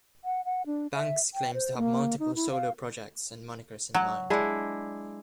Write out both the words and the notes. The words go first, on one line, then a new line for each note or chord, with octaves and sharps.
Banks claims to have multiple solo projects and monikers in mind.
F#5
F#5
D4
E5
G5
C5
A#3
D#4
E4
F5
F#3
G#3 D4 E4